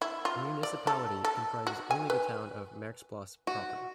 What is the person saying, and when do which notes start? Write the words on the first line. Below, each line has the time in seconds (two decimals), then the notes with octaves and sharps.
The municipality comprises only the town of Merksplas proper.
0.02 E4
0.25 F4
0.63 D5
0.87 A4
1.24 A4
1.67 F#4
1.91 G#5
2.10 B4
3.47 F#4